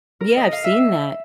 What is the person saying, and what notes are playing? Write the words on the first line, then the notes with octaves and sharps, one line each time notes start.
Yeah, I've seen that.
A#4
D#5
F5
E5